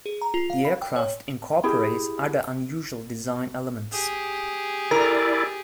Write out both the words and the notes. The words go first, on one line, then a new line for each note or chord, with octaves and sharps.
The aircraft incorporates other unusual design elements.
G#4
A#5
F4
F5
B5
G5
C#5
E4 G4 G#4
G4 G#4
E4 A#4 D5